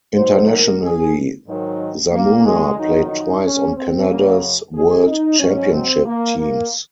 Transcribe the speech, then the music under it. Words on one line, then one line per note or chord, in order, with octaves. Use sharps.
Internationally, Zamuner played twice on Canada's world championship teams.
G#2 F#3 C5
A#4
G#4
G#2 D#3 F#3
A#3
G#3
F2 D#3 F#3 D#4
D#4
C#4
C4
F#2 C#3 F#3 A#3
G#4
D#4
G#2 F#3 C#4
C4
A#3
A#3